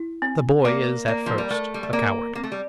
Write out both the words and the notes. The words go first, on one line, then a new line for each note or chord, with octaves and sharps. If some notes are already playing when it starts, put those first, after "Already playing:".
The boy is at first a coward.
Already playing: E4
C4
A#3 D5
A#3 D5
F3
G3
A3 A#4
G3
A3
A#3 D5
A#3 C4
A3
G3